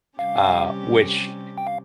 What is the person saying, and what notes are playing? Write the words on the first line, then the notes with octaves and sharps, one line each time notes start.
uh, which,
C3 G3 C#4 G4 F5
G5
F5